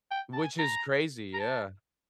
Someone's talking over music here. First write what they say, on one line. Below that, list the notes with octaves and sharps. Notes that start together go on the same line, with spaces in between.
Which is crazy. Yeah.
G5
A5
G#5
A#5
A#5
A5